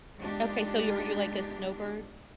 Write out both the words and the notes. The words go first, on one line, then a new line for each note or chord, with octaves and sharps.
Okay, so you're are you like a snowbird
G#3 B3 D4 D#4 F4 G4